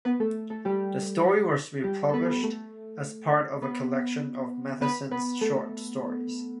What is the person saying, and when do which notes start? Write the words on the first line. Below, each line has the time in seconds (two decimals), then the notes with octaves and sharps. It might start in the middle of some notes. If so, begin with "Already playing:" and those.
The story was republished as part of a collection of Matheson's short stories.
0.05 B3 B4
0.20 A3 A4
0.50 A3 A4
0.65 G3 G4
1.84 G3 G4
2.09 A4
2.13 B3 B4
2.43 A3 A4
3.62 B3 B4
4.81 B3 B4
5.11 B3 B4
5.41 A3 A4